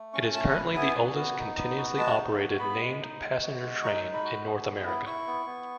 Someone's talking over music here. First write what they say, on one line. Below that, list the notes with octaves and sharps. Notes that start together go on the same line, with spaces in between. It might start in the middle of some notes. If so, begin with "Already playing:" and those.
It is currently the oldest continuously operated named passenger train in North America.
Already playing: A3
C#4 C#6
A3 A5
F#5
E4 G#5
B3 G#5
F#4
B3
D#4
B3
F#4
G#3 A5
D#4
F#4
B3 B5
G#3
D#4
G#3
F#4
G#3
D#4 C#6
G#3
B5
F#4
B3
B3
E4
E4 C#6
B3
B3